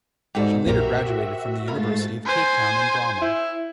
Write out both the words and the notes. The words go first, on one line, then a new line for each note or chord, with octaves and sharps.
She later graduated from the University of Cape Town in drama.
G#2 F#4 G4 A4 D5
B1 F#2 A#2 F#4 G4 A#4 C5 E5
G#2 A3 F4 A#4 B5 A6
C5 G#5
E4